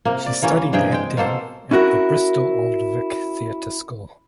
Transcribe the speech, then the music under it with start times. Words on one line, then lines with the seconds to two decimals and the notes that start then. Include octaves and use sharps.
She studied acting at the Bristol Old Vic Theatre School.
0.05 C3 A#3
0.26 D5
0.42 E3 A#3 C#4 G4
0.73 G2 C3 G#4 G5
0.92 G#3 G5
1.17 B2 A#3 A4 C5
1.71 C#4 E4 F#4 A#4